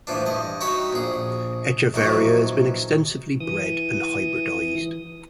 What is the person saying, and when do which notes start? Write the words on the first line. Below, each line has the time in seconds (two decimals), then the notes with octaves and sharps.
"Echeveria" has been extensively bred and hybridised.
0.07 A2 E3 F3 D4
0.26 G2 D#5
0.61 D#4 F#4 C#5 E5 G5
0.93 A#1 G#4
1.94 A#1 D#3 E3 F#3
3.40 E3 D#6